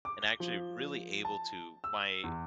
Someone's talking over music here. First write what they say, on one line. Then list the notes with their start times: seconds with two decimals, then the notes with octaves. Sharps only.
and actually really able to my,
0.05 D6
0.22 G7
0.40 F3
1.25 A5
1.84 E6
2.24 E2